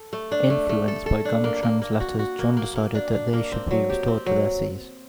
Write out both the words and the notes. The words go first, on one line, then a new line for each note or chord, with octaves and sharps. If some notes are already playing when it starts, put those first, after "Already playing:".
Influenced by Guntram's letters, John decided that they should be restored to their sees.
Already playing: A4
A3
D4
A3
A3
A4
A4
D4
A#3
A#3
A#3
F#4
F#4
A#3
A#3
A#3
D4
D4
A#3
C4
F#3
G4
C4
F#3